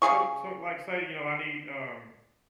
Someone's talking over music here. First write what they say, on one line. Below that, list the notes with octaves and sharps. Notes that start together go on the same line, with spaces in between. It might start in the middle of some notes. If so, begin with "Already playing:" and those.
so so, like, say, you know, I need, um,
C#3 B3 G#4 C#6